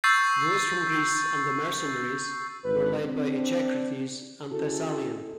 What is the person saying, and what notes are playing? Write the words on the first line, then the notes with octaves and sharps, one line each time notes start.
Those from Greece and the mercenaries were led by Echecrates the Thessalian.
C#6 E6 G6 A6 C7
G#1 B4
C4 D4
C#4 E4 F#4 G#4 A4